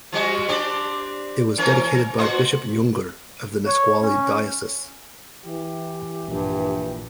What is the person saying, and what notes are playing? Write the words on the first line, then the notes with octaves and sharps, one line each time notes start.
It was dedicated by Bishop Junger of Nesqually Diocese.
F3 G3 F#4
C4 D4 G4
E3 C#4 A#4
A#2 F#4 C5
C#5
C#4
E3 G4
A#1 G2 A#2